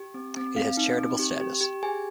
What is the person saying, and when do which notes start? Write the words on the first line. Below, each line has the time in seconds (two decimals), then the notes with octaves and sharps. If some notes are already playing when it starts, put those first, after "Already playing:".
It has charitable status.
Already playing: G4
0.14 C4
0.36 C4
0.56 C4 F5
0.77 D#4
0.98 C4
1.19 G4
1.40 G4
1.61 G4
1.83 G#4 G#5